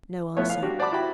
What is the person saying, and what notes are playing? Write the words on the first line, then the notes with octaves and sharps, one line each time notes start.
No answer.
F3 A3 B3 E4 C#5
F5
G3 D4 F#4
C5 D5 F#5 A5 B5 D6
E4 F#4 G5 B5